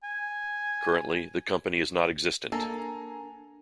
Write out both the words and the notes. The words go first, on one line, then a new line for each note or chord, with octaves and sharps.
Currently, the company is not existent.
G#5
A#3 D4 A4 G#5 A#5